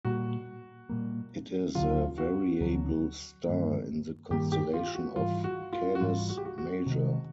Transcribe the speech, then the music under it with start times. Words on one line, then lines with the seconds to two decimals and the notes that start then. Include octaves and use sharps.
It is a variable star in the constellation of Canis Major.
0.05 A#2 G3 A#3 F#4
0.89 A#2 G3 A#3
1.75 D2 D3 F#3 F4
2.18 F#4
2.60 D2 D3 F#3
3.46 G2 D#3 G3 A#3
4.31 G2 D#3 G3 A#3 G4
4.52 G4
4.74 F4
4.95 F#4
5.16 G#2 E3 G3 F4
5.44 F#4
5.73 F4
5.95 F#4
6.01 G#2 E3 G3 F4
6.29 F#4
6.37 G4
6.45 F#4
6.58 F#4
6.87 C3 D#3 G#3